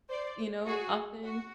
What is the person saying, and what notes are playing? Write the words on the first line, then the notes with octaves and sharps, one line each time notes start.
you know, often,
C5 D5
F#4 G#4
F#4